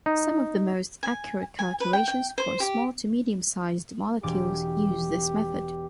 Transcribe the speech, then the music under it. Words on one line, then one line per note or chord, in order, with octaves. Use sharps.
Some of the most accurate calculations for small to medium-sized molecules use this method.
D#4
G#5
G#5
B4
G5
G5
C5
G4
E1 G4 D6